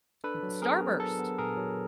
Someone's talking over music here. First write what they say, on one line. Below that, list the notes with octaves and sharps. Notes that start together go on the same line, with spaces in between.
m Starburst
D4 A4 B4
F#3
B3 G#4 A#4
B3
F#3 A4
B3
A#2 G#4 A#4
F#3